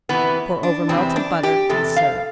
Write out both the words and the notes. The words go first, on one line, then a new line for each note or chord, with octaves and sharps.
Pour over melted butter and serve.
E2 C3 E3 B3
D4
E2 C3 E3 C4
D4
G4
E2 C3 A4
F5